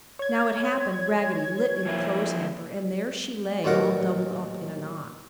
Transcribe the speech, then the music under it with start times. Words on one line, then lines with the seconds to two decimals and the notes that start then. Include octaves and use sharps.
Now it happened Raggedy lit in the clothes hamper and there she lay all doubled up in a knot.
0.19 C#5 G#6
1.85 F3 A#3 E4
3.64 A1 D#2 A#2 F#3 A#4 F#5